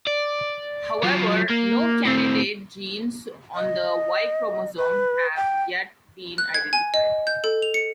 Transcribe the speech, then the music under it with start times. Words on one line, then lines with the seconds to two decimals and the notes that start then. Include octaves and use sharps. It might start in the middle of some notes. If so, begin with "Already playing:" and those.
However, no candidate genes on the Y chromosome have yet been identified.
0.07 D5
1.03 F#3 F4
1.49 A#3
2.05 A2 C4
3.55 D#5
4.76 B4
5.36 G5
6.38 F#6
6.54 G#6
6.73 G#5
6.94 D#5
7.27 G6
7.44 A4
7.62 F7
7.74 C#7